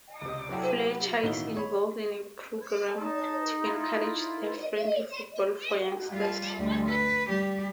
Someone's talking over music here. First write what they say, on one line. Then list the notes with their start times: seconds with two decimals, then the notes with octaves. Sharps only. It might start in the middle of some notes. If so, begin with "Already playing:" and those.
Fletcher is involved in a programme to encourage "Deaf Friendly Football" for youngsters.
0.22 C#2 C3
0.49 C3 F#3 E4 F#4 G4 A4
1.23 A1 B2 D#3 A#3 E4 G7
1.57 C#5 B5
3.00 D#4 A5
3.63 E4 F4
6.10 G3 F4
6.58 D2 G3
6.89 B4
7.28 G3 G4